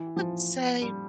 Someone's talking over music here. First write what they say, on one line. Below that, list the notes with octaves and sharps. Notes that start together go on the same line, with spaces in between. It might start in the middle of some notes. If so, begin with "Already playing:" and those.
I would say,
Already playing: E3
F3
G3